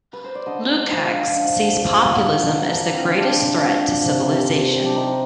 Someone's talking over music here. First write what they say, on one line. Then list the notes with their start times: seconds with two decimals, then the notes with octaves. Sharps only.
Lukacs sees populism as the greatest threat to civilization.
0.13 B4
0.24 C5
0.35 D5
0.46 D3 D#5
0.69 G#3
0.91 F3
1.13 F3
1.36 D3
1.58 D3
1.81 F3
2.03 D3
2.14 D#5
2.26 D3 D5
2.43 D4
2.48 D3 D#4
2.71 F3 D4
2.93 D3 C4
3.15 D3 D4
3.39 G#3
3.61 F3
3.83 D3
4.06 C3
4.28 C3
4.51 C3
4.73 C3 C4
4.86 D4
4.95 C3 D#4